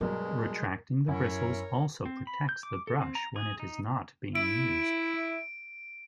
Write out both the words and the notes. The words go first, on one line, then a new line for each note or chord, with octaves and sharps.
Retracting the bristles also protects the brush when it is not being used.
G2 B2 F#3 G#3 A#4
F#2 C#4 E4 A#4 C#5
C4
B5
G6
D6
A4
C4
A#5
G#4
D#4
E4 D7